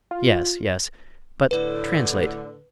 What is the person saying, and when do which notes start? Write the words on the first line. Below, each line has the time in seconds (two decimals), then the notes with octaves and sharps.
"Yes, yes--but translate."
0.11 F4
1.51 A2 D3 B4